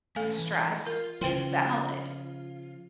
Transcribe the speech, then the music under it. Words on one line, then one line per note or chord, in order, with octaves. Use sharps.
stress is valid.
A3 C#4 A4 F5 G#5
E3
F4 A#4
C#3 F3 C5 G5 C6